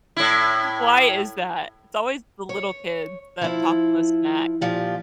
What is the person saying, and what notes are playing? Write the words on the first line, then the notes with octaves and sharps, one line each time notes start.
Why is that? It's always the little kids that talk the most smack.
A2 E4
C#5
F3 E4
A#2 F3 G4